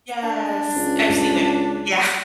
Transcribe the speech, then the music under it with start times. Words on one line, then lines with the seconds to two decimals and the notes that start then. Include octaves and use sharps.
Yes, I've seen it. Yeah.
0.23 D4
0.76 C#2